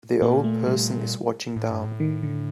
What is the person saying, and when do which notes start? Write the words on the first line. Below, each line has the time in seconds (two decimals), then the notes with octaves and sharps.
The old person is watching down.
0.22 A#2 A#3
0.44 A3
0.67 G3
1.56 A2
1.70 G2
1.85 A2
2.00 D#3
2.23 D3